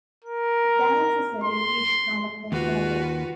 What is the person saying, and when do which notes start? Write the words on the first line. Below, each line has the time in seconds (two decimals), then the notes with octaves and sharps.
The dance is a variation on a conga line.
0.24 A#4
1.43 C6
2.52 D#2 F4 F#4 B4